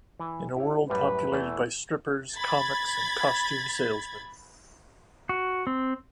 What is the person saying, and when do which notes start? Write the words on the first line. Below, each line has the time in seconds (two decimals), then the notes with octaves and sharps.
In a world populated by strippers, comics and costume salesman.
0.20 E3
0.56 E4 G4 C#5
0.90 F#2 A2 G3 B4
1.32 E2 E3 A3
2.34 B5 G#6 A6
5.29 F#4
5.67 C4